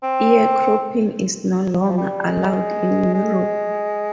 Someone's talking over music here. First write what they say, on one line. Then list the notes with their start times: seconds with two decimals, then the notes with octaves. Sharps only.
Ear cropping is no longer allowed in Europe.
0.03 C4
1.81 G3
1.90 F3
1.97 G3
2.25 G#3
3.14 G#3